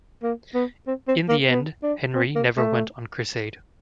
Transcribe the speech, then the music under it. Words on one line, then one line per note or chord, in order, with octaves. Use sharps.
In the end, Henry never went on crusade.
A#3
B3
C4
C4
A#3
B3
D4
C4
A#3
A3